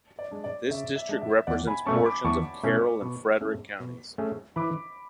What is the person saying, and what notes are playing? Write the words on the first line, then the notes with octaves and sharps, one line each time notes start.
This district represents portions of Carroll and Frederick Counties.
D5
G#3 D4
D5
C#3 E5
E5
G#3 D4
E5
E2 D5 F#5
G#5 B5
B2 A3 C#4 A5 C#6
B5 D6
E2 A5 C#6
B2 A3 C#4
B2
A3 C#4 G#4
B2
A3 C#4 G#4
E3 B5 D6